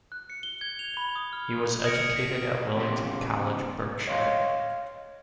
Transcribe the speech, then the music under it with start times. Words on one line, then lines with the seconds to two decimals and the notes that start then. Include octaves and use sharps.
He was educated at Wellington College, Berkshire.
0.12 F#6
0.30 C#7
0.43 G7
0.61 G#6
0.79 F7
0.97 B5
1.16 D#6
1.33 F6
1.83 D#6 F6 G#6 A#6 C#7 D7
2.16 B6
2.76 E2 C#3 G4 C6
4.07 C#5 D#5 F5 C6